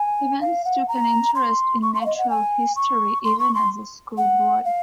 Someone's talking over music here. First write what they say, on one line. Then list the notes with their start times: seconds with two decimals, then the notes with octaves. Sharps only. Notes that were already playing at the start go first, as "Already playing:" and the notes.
Stephens took an interest in natural history even as a schoolboy.
Already playing: G#5
0.41 F5
0.65 F#5
0.88 A#5
1.35 C6
1.82 C#6
1.94 C6
2.01 F5
2.06 D#5
2.18 F#5
2.30 G#5
2.76 C#6
3.24 C6
3.39 C#6
3.55 C6
4.18 F#5
4.65 F5